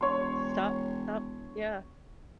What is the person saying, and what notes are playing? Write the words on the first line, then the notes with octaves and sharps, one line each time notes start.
Stop stop yeah.
E1 C#5 C6